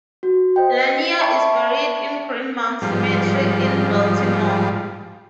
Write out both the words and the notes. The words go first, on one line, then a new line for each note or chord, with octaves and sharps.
Lanier is buried in Green Mount Cemetery in Baltimore.
F#4
C5 D#5 G5
D5 E5 G5 A5 B5 C#6
G#2 F3 G3